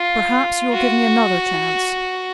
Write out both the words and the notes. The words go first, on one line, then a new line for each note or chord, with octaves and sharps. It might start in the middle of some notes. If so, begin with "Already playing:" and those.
"Perhaps you will give me another chance?"
Already playing: F4
F#4